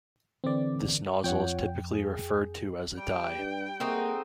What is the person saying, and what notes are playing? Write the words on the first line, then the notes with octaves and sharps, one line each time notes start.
This nozzle is typically referred to as a die.
D3 E3 C4 D5
F2 F4 C#5 F#5 G5
G#4
G3 G5
G2
A#3 C4 D#4 F#4 G#4 A4